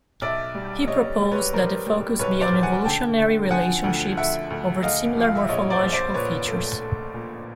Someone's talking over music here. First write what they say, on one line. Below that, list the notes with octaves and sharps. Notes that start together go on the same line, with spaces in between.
He proposed that the focus be on evolutionary relationships over similar morphological features.
B1 D5 E5
G3
G3 C#5 D#5
G3
B4 C#5
G3 A#4 C5
G3
B1 B4 C#5
C5 D5
B1
F#5 G#5
D3 G5 A5
D3
F3 F#5 G#5
D2
D2 E5 F#5
D2
D2 D#5 F5
F3
F5
E5
A#1 C#5 D#5
C5 D5
A#1
C5 D5
A#2 B4 C#5
A3
A3
A#2